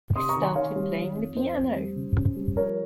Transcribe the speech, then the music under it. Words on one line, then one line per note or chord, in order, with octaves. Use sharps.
I started playing the piano.
C3 C6 D#6
A#5 C#6
D#3
G#5 C6
D#3 C#5 F5
G3
D#3
F2
F2 C5
F2
G3
C#3
C#4
G3
F3 A#4 C#5